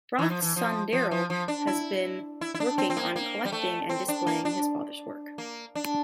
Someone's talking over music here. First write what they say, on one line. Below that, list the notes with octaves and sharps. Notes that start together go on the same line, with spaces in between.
Roth's son Darryl has been working on collecting and displaying his father's work.
E3
F3
E3
F3
F3
F3
F3
D4
E4
E4
E4
D4
C4
C4
A#3
A#3
G3
A3
C4
D4
A#3
D4
A#3
D4